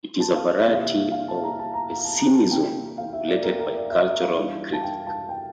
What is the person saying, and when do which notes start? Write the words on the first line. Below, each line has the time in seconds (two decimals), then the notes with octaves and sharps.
It is a variety of pessimism formulated by a cultural critic.
0.20 A5
0.35 F5
0.50 D5
0.66 C3 E3 A#3 E5
0.75 F5
0.83 E5
1.12 F5
1.28 A5
1.43 A#5
1.59 A5
1.74 A#5
1.90 A#5
2.05 A5
2.19 A#5
2.33 A5
2.51 C3 E3 A#3 D4 G5
2.98 F5
3.13 E5
3.28 D5
3.44 A#4
3.59 A#4
3.75 D5
3.90 E5
4.05 E5
4.21 F5
4.37 E3 G3 D4
4.73 A5
4.83 G5
5.07 A5
5.29 G5